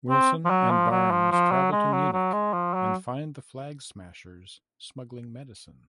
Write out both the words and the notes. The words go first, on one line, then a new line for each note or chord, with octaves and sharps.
Wilson and Barnes travel to Munich and find the Flag Smashers smuggling medicine.
C4
F3
F#3
F3
F#3
F3
F3
F#3
G#3
F#3
F#3
G#3
F3
F#3